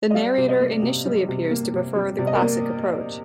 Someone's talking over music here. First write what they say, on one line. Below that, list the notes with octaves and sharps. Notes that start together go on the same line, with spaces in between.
The Narrator initially appears to prefer the classic approach.
D#5
G3 D5 F5
C3
C5 D#5
A#3
C3
G3
C3
A#3
C3
G3
C3 D5
D#5
A#4 D5
A#3